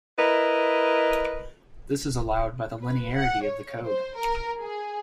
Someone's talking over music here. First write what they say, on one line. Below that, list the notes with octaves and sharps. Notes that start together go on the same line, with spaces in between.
This is allowed by the linearity of the code.
E4 A#4 B4 D#5
B4
F#5
C#5
C5
A#4
G#4